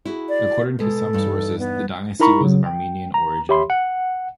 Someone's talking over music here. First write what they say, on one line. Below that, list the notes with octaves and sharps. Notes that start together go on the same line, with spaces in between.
According to some sources the dynasty was of Armenian origin.
E4 F#4 G#4
D5
B2 G#3 A4
E2 G2 D#4
B3
D#4 E4 A#4 A#5 B5 C#6
C#3 F#3
G5
A#5
G4 C#5 E5 B5 C6
F#5